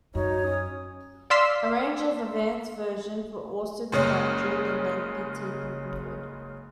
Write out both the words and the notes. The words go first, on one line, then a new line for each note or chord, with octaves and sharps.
A range of advanced versions were also developed during the lengthy teething period.
F#2 D#4 F#4 C#5
C#4 D#6
D5 F5 C6 E6 B6
F#1 C#3 G#3 C#4